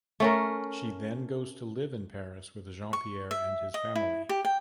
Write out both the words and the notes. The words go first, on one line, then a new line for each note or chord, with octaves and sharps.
She then goes to live in Paris with Jean-Pierre and his family.
A3 C#4 A#4
C#6
E5
D#5
E4
G4
G5